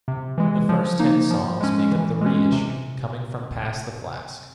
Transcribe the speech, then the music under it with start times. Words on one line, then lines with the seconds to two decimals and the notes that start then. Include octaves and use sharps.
The first ten songs make up the reissue, coming from Pass the Flask.
0.08 C3
0.38 E3 G#3
0.69 F3
0.99 A#3 D#4
1.31 F3
1.60 G#3 C#4
1.91 E3
2.21 G#3 C#4
2.52 C3